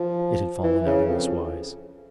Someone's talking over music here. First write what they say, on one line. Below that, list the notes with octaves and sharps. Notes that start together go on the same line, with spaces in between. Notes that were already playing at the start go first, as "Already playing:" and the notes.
It had fallen out in this wise.
Already playing: F3
E3
C#3
F2